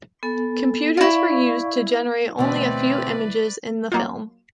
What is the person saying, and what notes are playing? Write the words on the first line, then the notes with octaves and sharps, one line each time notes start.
Computers were used to generate only a few images in the film.
B3 A4 G#5
E4 F4 D5 F5 C#6
D2 B2 E3 C4 B4 D5
F#3 A#3 D#4 F4